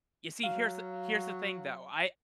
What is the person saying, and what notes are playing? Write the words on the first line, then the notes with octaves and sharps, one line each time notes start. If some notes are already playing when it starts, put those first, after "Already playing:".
You see, here's the here's the thing, though. I,
F#3 F5